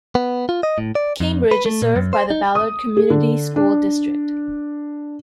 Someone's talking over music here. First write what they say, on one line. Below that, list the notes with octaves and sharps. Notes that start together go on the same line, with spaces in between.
Cambridge is served by the Ballard Community School District.
B3
F4
D#5
A2
D5
F2
B4
A3
A#2
F#2
C5
D#4
D#6
G#4
D3
D4